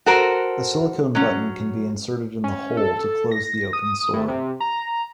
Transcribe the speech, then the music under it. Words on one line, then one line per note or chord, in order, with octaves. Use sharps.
A silicone button can be inserted in the hole to close the open sore.
F#4 A4 A#4 C5
F#3 C#4
C#4
A4
A#6
D#6
A2
C3
A#5